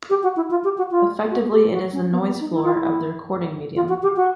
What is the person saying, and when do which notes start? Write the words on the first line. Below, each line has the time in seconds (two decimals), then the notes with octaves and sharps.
Effectively it is the noise floor of the recording medium.
0.10 G4
0.23 F#4
0.36 E4
0.51 F4
0.64 G4
0.78 F#4
0.91 F4
1.31 F#4
1.52 G4
1.72 F#4
1.93 C#4
2.12 B3
2.26 B3
2.40 D#4
2.54 E4
2.64 F4
2.74 E4
3.76 F4
3.89 F#4
4.03 G4
4.16 F#4